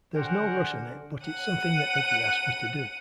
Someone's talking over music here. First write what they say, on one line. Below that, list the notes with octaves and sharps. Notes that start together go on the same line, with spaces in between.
There's no rush on it, but it's something that Iggy asked me to do.
D3 F#4 G4 A#4 C5 F#5 G#5
F#5 D#7